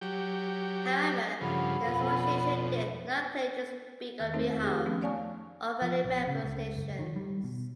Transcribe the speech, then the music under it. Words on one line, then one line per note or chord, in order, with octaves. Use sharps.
However, the association did not claim to speak on behalf of any member stations.
F#3 G4
G2 C#3 F3 A4 F#5 B5
F2 B2
E2 D#3
A3 C4 D#4 A#4 C5
F2
D#4 G4 G#4
F3 A3 B3 C#4
C#5 D5 F5 G#5 A5 C#6
F3
A#1
C#3
C#2
F#1
D#3
G3
B2